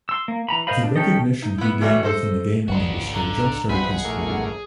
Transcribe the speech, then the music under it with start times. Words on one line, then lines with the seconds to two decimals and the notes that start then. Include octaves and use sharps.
The recognition he gained within the gaming industry jump-started his career.
0.09 C6 E6
0.28 A#3
0.49 E3 A#5 B5
0.67 A#4 C5 D#5 F5 B5
0.83 D4
0.96 D#3 C#4 G4 A4 D#5
1.42 D#4
1.58 B3 E4
1.81 E3 G3 A3 F#4 C#5 E5
2.03 A4 C5 D#5
2.68 G#1 C#2 D4 F#4
3.14 D3 A#5
3.69 A#1 C4 G#4 B4 F#5 B5
4.05 A2 A#3